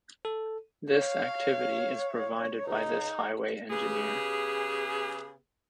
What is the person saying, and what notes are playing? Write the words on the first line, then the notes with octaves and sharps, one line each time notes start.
This activity is provided by this highway engineer.
A4
C#5 F5
C#2 D#4
C#3 B3 G4 G#4